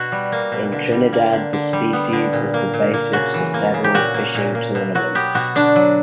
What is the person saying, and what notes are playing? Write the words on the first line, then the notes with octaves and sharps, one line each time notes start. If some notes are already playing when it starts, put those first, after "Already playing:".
In Trinidad, the species is the basis for several fishing tournaments.
Already playing: B2 F#4
G3
A#3
B2
D3
G3
A#3
D3
D3
G3
B3
D3
A#2
A#3
A#2
A#3
C#3 F#4
E3
A#3
C#3
G4
A#2 F#4
A#3
A#2
A#3
B2
F#3 F#4
B3 G4
B2 F#4
D3 D4
F#3